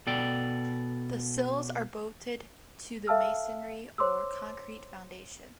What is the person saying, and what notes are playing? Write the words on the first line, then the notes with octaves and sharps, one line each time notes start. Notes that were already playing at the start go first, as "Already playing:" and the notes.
The sills are bolted to the masonry or concrete foundation.
B2 A4 D5 G5
A4 E5 F5 A5 E6 F6
C5 C#5 C6 D6 E6